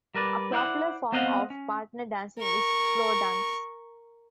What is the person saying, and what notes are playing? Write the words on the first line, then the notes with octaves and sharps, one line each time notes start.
A popular form of partner dancing is slow dance.
G3 A#4 B4 D5
E4 C5 D5 F5 F#5
B3 C4 C5 D#5 F5 F#5
C#4
A#4 C#6